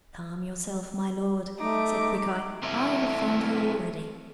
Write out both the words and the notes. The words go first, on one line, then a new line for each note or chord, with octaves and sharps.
'Calm yourself, my lord,' said Quickeye. 'I have found her already.
A3 D#4 D6
A3 C4 E4 A#4